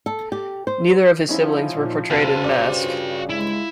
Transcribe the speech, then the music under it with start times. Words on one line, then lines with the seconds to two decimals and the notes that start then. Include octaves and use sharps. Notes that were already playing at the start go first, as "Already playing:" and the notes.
Neither of his siblings were portrayed in "Mask".
0.06 A4
0.32 G4
0.67 C5
1.29 F3 C#4 D#4 E4
1.71 A#2
2.10 F1 F#4 C5 F5 A5
2.44 G2 C#3 D5
2.84 F4
3.29 G#3 E4